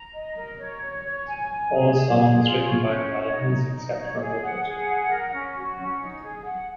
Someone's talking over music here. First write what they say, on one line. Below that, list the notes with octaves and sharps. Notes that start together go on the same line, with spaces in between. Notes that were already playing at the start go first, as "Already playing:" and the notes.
All songs written by The Melvins except where noted.
Already playing: A#5
D#5
A#4
C#5
C#5
C#5
G#5
G#5
G#4
G#4
G#4
F4
C#5
C#4
C#5
D#4
D#4
D#4
C#5
G#4
F#5
G#4
F#5
A#4
C#4
F#4
C#4
D#4
G#4
F#5